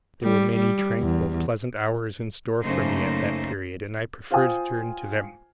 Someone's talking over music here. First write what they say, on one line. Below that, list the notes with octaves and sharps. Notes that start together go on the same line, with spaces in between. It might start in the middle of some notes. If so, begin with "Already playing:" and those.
There were many tranquil, pleasant hours in store for me at that period, and I prefer to turn to them.
G3
G3
E2
F#2 C#3 A3 A#3 D#4 C5
F4 C5 F5 G5 G#5 D#6